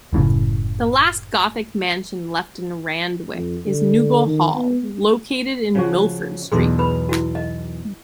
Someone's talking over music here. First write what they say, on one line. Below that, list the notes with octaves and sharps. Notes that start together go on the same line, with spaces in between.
The last Gothic mansion left in Randwick is Nugal Hall, located in Milford Street.
F#1 A2 C#3
F2
D3
D#3
B3
C#3 F3 F#4
B1 E2 B2 G#4 C6
B4 B5
E4 F#4
D#5